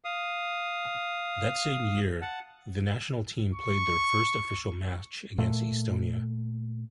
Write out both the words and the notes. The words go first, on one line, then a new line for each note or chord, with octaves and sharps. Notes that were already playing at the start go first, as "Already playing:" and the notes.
That same year the national team played their first official match against Estonia.
F5 D#6
F#5 A5
C#6
A#2 A3